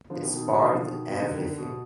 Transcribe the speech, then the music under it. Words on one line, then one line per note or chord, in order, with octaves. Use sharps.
It sparked everything.
D3 F3
B2 D#3
B2 D#3
D3
B2 D#3
D3 F3
B2 D#3
B2
D3
D#3
D3
B2